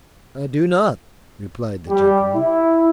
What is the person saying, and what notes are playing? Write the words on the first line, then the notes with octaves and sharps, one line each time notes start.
"I do not!" replied the gentleman.
G3
E4